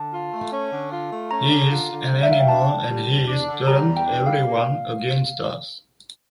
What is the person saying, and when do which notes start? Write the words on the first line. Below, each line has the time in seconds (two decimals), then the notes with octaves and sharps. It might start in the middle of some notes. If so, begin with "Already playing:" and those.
He's an animal, and he's turned everyone against us.
Already playing: D3 A5
0.13 F4
0.32 A3
0.52 C#4
0.71 D3
0.91 F4
1.11 A3
1.31 C#4 A#5
1.50 D3
1.71 F4
1.89 D3
2.10 G3
2.23 E5
2.30 E2 F5
2.40 G5
2.48 D4 A5
2.69 D3
2.88 G3
3.09 E2
3.28 D4
3.48 D3
3.67 G3 A#5
3.87 E2
3.97 G5
4.06 D4
4.26 G3 F5
4.46 A#3
4.65 A#2